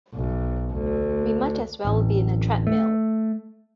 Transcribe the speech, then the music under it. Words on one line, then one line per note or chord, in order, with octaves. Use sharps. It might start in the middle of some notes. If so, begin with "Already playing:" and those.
We might as well be in a treadmill.
B1
D2
D1 A1
A3